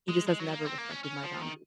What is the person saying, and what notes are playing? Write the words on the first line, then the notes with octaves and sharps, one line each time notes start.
he just has never respected my boundaries.
G#3
G#3
F#3
A#3
C4
A#3
C#4
C#4
F3
D#3